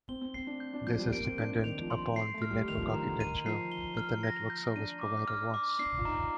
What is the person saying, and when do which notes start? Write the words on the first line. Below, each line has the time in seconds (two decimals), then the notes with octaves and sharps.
This is dependent upon the network architecture that the network service provider wants.
0.09 C4 G7
0.21 C4
0.34 C4 C7
0.47 D4
0.60 G6
0.74 D4
0.87 F3 G6
0.99 G3
1.12 A#3 D7
1.25 C4
1.38 D4 G6
1.52 D4
1.64 D#3 F7
1.81 F3
1.90 C6
2.16 C7
2.34 A3
2.42 F6
2.51 G3
2.68 D#3 F7
2.79 F3
2.85 D#3
2.94 A#5
3.02 D3
3.20 D#3 D#7
3.46 F3 C7
3.72 G7
3.97 F6
4.23 A#6
4.50 G6
4.76 D4 D#7
5.01 D6
5.28 F6
5.54 D6
5.79 D4 C7
5.98 F4
6.05 D#4 A#5